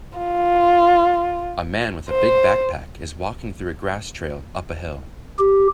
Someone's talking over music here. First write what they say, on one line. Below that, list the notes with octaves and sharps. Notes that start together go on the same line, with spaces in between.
A man with a big backpack is walking through a grass trail up a hill.
F4
C5
G4